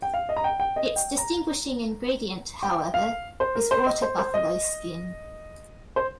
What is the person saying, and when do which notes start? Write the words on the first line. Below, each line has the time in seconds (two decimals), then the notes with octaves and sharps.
Its distinguishing ingredient, however, is water buffalo skin.
0.02 G5
0.14 F5
0.29 D#5
0.36 A#5
0.44 G5
0.60 G5
0.76 D#5
0.96 G5
1.17 A#5
2.63 G5
2.94 F5
3.40 C5
3.56 A#4
3.71 C5
3.86 D#5
4.02 C5
4.18 C5
4.34 D#5
5.96 C5